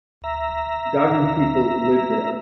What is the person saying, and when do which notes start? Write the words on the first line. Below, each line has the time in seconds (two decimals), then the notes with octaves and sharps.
Dargin people live there.
0.24 E5 A#5